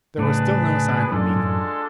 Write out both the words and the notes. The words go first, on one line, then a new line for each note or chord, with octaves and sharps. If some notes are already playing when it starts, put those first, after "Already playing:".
There was still no sign of Miko.
A2 C#3 D4 G#4 B4
F#2 A2 G#3 D4 F4 A4
G#2
F#2 A2